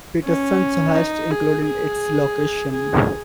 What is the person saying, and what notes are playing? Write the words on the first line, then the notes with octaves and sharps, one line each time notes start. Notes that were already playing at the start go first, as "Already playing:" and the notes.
Peterson's hoist, including its location.
C#4
D#4
G#4
G#4
G#4